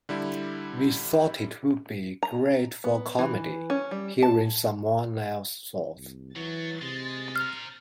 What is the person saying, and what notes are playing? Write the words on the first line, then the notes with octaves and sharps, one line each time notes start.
We thought it would be great for comedy, hearing someone else's thoughts.
D3 G3 E4
A#5
B3
E3
C#4
G3
A5
C2
E3 F#3 A6
C3 G#3
C5 A#5 F6